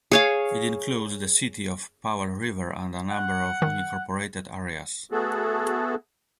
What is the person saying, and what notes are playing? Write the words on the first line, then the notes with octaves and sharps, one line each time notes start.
It includes the City of Powell River and a number of unincorporated areas.
G#4 C#5 F5
F#5
D#3
A3 B3 F#4 G#4 A4